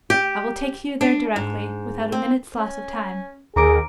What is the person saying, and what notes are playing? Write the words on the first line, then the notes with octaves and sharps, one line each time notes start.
I will take you there directly, without a minute's loss of time.
G4
D4
G#2
C4
C#4
D#2 G#4 A#4 A#5 D6 D7